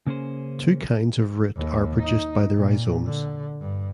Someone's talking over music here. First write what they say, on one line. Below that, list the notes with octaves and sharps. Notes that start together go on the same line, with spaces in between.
Two kinds of root are produced by the rhizomes.
C#3 A#3 C#4 G#4 C5
D#2
D#4
A#2
D3
G2